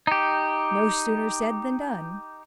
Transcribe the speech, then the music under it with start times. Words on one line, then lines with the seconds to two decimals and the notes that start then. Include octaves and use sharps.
No sooner said than done.
0.07 D#4 G4